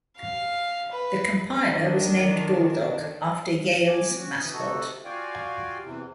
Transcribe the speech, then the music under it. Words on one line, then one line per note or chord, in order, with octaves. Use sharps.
The compiler was named Bulldog, after Yale's mascot.
F5
B4
D#3 D4
G#5 D6
C#4 F#4
E3 D#6
D2 C3 D#4 F#4 A4
F4 F#4 D5 F5 G5 G#5
E2 C3 E3